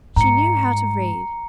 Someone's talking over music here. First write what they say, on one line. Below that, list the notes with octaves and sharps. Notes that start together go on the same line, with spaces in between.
She knew how to read.
G#2 A#5 C#7